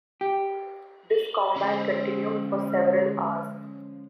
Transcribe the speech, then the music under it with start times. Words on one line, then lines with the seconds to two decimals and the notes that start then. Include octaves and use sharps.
This combat continued for several hours.
0.21 G4
1.56 D3 F3 G#3 C#4 C5